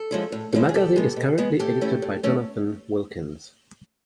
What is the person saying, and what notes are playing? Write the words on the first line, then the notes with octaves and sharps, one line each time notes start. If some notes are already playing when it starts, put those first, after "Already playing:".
The magazine is currently edited by Jonathan Wilkins.
Already playing: A4
F3 G#3 C#4 E4
A2
F3 G#3 C#4 E4
G#4
B2 G4 A4
G#3 B3
B2
G#3 B3
A2 G4 A4
E3 A3 C#4 E4
A2
E3 A3 C#4 E4